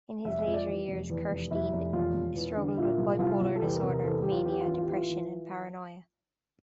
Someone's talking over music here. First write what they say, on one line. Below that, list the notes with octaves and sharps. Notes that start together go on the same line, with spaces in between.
In his later years, Kirstein struggled with bipolar disorder - mania, depression, and paranoia.
F1 E5
E5
F2
D5
E3 D5
F1
E2
F1
F1 E4
F1
E1 F4
E1
E2
D3
A#2 E4
C2
C2 F4
C2 F4
A4
E2 G4
A#4
C3
A#4
E2 A4
E2 G4
F4
E3 G4
F4
A1
F4
G4
E3 F4
E3